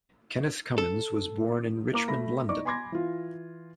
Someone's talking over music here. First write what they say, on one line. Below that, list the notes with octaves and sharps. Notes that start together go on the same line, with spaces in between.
Kenneth Cummins was born in Richmond, London.
A4
A#3 A#5 D6
A3 B5 A#6
D#4 D5 C#6 D6
G#5 B5 C6 D6 G#6 A#6
E3 F4